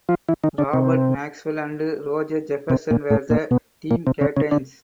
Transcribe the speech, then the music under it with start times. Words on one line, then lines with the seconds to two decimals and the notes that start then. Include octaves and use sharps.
Robert Maxwell and Roger Jefferson were the team captains.
0.09 F3 F4
0.29 E3 E4
0.44 D#3 D#4
0.58 D3 D4
0.73 C3 C4
2.70 C3 C4
2.91 A#2 A#3
3.10 A2 A3
3.30 A#2 A#3
3.51 B2 B3
3.91 A#2 A#3
4.07 C3 C4
4.21 C#3 C#4
4.37 C#3 C#4
4.51 D3 D4